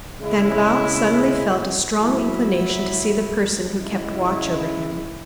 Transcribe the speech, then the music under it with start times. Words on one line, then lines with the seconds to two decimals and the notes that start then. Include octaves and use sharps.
Danglars suddenly felt a strong inclination to see the person who kept watch over him.
0.19 C#3 G#3 E4
1.98 F#3 E4
3.77 C#3 G#3 E4